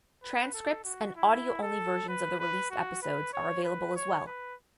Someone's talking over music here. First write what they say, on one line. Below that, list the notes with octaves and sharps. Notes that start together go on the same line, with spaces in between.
Transcripts and audio-only versions of the released episodes are available as well.
B4
A4
F#4
E4
A4
B4
B4
F#4
B4
C#5
B4
C#5
B4